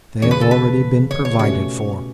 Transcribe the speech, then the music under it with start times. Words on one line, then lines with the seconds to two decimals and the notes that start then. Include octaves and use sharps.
They have already been provided for.
0.22 E1 E2 C#3 C#5
0.31 B4
0.41 A4
0.51 B4
1.11 C#5
1.25 C#5
1.39 B2 A3 C#4 G4 C#5 D5